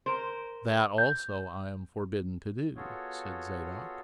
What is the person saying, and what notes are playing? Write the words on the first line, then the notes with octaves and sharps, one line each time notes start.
"That also I am forbidden to do," said Zadok.
A#4 C5
G6
B3 F4 F#4 G#4 A4 C#5